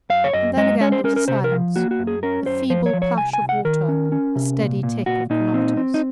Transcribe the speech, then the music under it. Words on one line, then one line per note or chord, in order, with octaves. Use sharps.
And then again there was a silence, the feeble plash of water, the steady tick of chronometers.
F#2 F5
C#5
F#2 D#5
G#3 D#5
C#4 C#5
C5
C#4 A#4
A#4
C3 C5
A#4
F3
A#3 F#4
F#4
F#2
G#4
C#4 A#4
F#2 C5
F3 C5
C#5
F3
C#5
C2 G#5
G#5
C2
F#5
D#3 A#4
C#4
C#4
C3
A#2
A#2
A#2 F#4
A#2 D#4
C4
C4
D#4